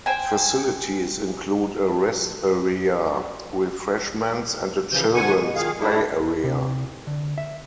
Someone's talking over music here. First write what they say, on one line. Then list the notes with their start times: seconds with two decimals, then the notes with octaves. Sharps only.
Facilities include a rest area, refreshments and a children's play area.
0.06 C5 G5 G#5
4.92 C#3 E3 F3 G6
5.14 D2 D3 F#5 G#5 C#6
5.37 B2
5.56 A#2 D#3 G#4 F5
5.79 G3 A3 D4 E4
6.44 C3
7.07 D3
7.38 E5